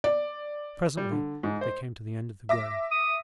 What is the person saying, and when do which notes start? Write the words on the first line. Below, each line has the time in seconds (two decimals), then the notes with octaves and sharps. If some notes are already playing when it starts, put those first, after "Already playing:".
Presently they came to the end of the grove.
0.04 D5
0.97 G3
1.12 D3
1.43 G#2
1.61 C5
2.49 E5 D6 A#6
2.91 D#6